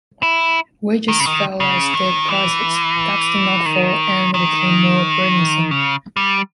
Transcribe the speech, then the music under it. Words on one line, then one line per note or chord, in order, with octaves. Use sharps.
Wages fell as did prices; debts did not fall and they became more burdensome.
E4
D#3
C#3
D#3
C#3
D#3
E3
D#3
D#3
C#3
G3